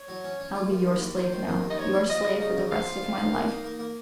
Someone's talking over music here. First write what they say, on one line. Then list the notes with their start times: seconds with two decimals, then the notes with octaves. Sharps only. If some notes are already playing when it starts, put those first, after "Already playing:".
I'll be your slave now, your slave for the rest of my life.
Already playing: C#5
0.08 F#3
0.24 C#4
0.40 C#4
0.55 F4
0.71 D#2
0.86 D#2
1.01 D#2
1.16 F4 C5
1.32 D#3
1.48 D#3
1.63 D#2
1.70 D#5
1.78 F3 C#5
1.94 F4
2.09 F4 D#5
2.25 C#3
2.40 C#3 D#5
2.56 F3
2.71 F3 F5
2.86 F4
3.02 F2
3.17 D#4
3.33 A#3
3.48 D#4
3.64 A#3
3.79 A#3